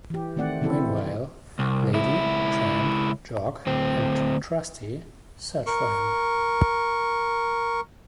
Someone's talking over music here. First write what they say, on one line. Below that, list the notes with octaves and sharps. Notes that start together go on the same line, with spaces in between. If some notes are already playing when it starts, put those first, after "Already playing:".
Meanwhile, Lady, Tramp, Jock and Trusty, search for him.
E3 G4
D#3 A3 C4 D5 F#5
C3 E3 C4 E4 A4
C2
C#2 E4
D2 C4
A#4 C#6